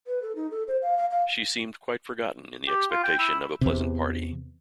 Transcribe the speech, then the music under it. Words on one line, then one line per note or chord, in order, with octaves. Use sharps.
She seemed quite forgotten in the expectation of a pleasant party.
B4
A4
D#4
A4
C5
F5
F5
F5
G4
F4
G5
E4
E2 C3